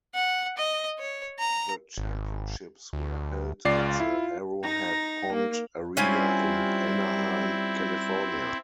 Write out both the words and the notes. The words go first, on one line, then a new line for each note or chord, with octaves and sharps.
The Championships were held at the Arrowhead Pond arena in Anaheim, California.
F#5
D#5
C#5
A#5
G#1
D2
C#2 F4 D5 C7
E4
D#4 A#5
A#3
G3 C4 C#4 E4 F4 G#5